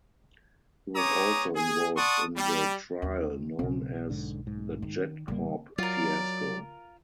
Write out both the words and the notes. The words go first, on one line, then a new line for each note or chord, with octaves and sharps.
He was also involved in the trial known as the JetCorp fiasco.
B3 G#4 C#5 A#5 D6 D#6
G#4
D5 F#5 A5 C6 C#6 D#6
G3
D#2
B1 C#3 C4
G#2 D3
G#2
D#3
G#1 C#3 G3 A#3
F#3 F4 A#4 D5